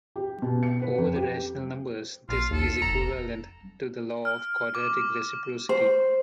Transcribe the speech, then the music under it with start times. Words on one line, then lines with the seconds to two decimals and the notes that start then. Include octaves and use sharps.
Over the rational numbers this is equivalent to the law of quadratic reciprocity.
0.16 G4
0.42 B2
0.63 C#7
0.82 B4
0.98 F2
1.15 G4
2.29 A#1 F4
2.51 D#2 A4
2.82 F1 A#5
4.25 F6
4.75 D6
5.69 C5